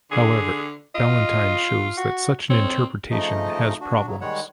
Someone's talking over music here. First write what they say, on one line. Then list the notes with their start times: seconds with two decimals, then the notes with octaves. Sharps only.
However, Ballentine shows that such an interpretation has problems.
0.12 D3 G#4
0.95 F4 D#5
1.98 F#4
2.50 C4 C#5
3.11 C#3 F3 A3 D#4 D#5
3.81 D4 F#4
4.06 C#3 F#3
4.21 D#3 G3 G#3 C#5 F#5